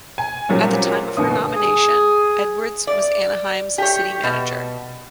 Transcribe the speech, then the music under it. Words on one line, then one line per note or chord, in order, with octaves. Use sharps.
At the time of her nomination, Edwards was Anaheim's City Manager.
G#5
A#2 F#3 G3 C4 C#4
A1 B2 D3 A#3 D#6
G#4
D5
G4 C#5
B2